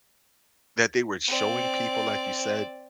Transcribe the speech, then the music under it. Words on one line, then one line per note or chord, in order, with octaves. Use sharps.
that they were showing people, like you said,
C4 D5